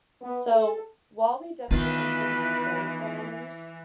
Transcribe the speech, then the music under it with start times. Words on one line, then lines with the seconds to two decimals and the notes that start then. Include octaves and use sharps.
so, while we definitely didn't stay friends,
0.22 B3
0.53 A4
1.71 D#3 E3 B3 F4 B4